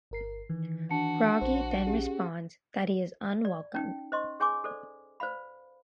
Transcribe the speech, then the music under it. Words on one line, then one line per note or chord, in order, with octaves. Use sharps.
Bragi then responds that he is unwelcome.
G1 A#4 C7
D#3 E3
D4 F#4 A5 C#7
A#1 C5
C#4 G4 G#4
D5
C#4 D#4 G5
C5 D#5 C6 C#6
G#4 C#5 G#5 C6 D6
A4 C5 D5
B4 C5 D5 F5 B5